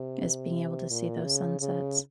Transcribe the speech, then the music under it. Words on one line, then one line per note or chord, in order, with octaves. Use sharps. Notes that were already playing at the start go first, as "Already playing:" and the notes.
is being able to see those sunsets.
Already playing: C3
A#2
C#3
C#3